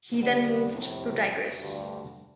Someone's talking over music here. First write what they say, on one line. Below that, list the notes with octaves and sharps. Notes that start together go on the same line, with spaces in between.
He then moved to Tigres.
D3 G3 B3
F2 A2 C3
D2 G2